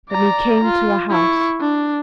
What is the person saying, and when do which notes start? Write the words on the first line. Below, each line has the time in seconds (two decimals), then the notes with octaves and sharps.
Then he came to a house.
0.11 D5 A#5
0.64 F4
1.10 E4 C#6
1.60 D4